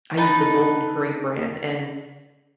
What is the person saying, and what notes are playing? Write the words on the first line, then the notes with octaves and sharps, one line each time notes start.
I use the Golden Curry brand, and
D#4 B4 A5